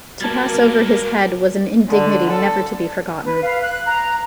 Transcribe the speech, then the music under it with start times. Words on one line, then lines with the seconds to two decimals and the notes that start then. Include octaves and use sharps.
To pass over his head was an indignity never to be forgotten.
0.21 B2 G3 A#3 A#4 A5 G#6 A6
1.89 D3
2.29 A4
3.25 B4
3.42 F5
3.62 F#6
3.86 A#5